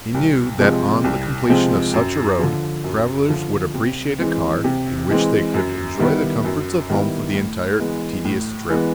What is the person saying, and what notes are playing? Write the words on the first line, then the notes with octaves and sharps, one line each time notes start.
He knew that on the completion of such a road, travelers would appreciate a car in which they could enjoy the comforts of home for the entire tedious trip.
C2
C3 F3 G#3 C4
C2
C3 F3 G#3 C4
F#2
D3 F3
F#2
D3 F3
C3
E3 G#3 C4
C3
E3 G#3 C4
F#2
D#3 G3 B3 E4
F#2
D#3 G3 B3 E4
A2
E3 G#3 B3
A2
E3 G#3 B3